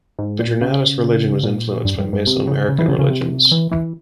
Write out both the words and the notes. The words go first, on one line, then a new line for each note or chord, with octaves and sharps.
The Jornada's religion was influenced by Mesoamerican religions.
G#2
A#2
C#3
A#2
G2
G2
G2
C3
C#3
C#3
E3
C#3
C#3
C3
E3
E3